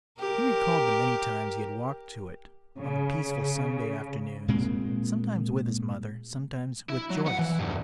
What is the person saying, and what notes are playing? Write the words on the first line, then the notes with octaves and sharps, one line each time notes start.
He recalled the many times he had walked to it on the peaceful Sunday afternoons, sometimes with his mother, sometimes with Joyce.
G4 A#4
C#3
A#2 G#3 A#3 C4
E4
F#3
B3 F#5
E3
E2 G2